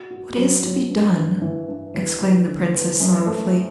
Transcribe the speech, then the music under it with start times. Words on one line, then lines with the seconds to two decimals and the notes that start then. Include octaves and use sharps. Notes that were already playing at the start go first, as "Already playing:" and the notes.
"What is to be done?" exclaimed the Princess, sorrowfully.
Already playing: F#4
0.11 F#4
0.37 F#3
0.63 F#3
0.89 G2
1.16 G2
1.42 E3
1.68 G2
1.95 E2
2.21 E2
2.48 D3
2.74 E2
3.00 F#2
3.26 A3